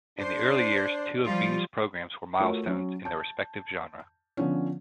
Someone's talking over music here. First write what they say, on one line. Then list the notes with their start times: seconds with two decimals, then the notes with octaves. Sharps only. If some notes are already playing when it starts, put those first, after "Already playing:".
In the early years, two of Beam's programs were milestones in their respective genre.
0.19 D4 C5
1.24 F3 G3 F4
2.40 A3 F4 F#4 A#4 C#5
2.66 F#3 C#4
3.05 A5 G6
4.37 D3 F3 B3 C#4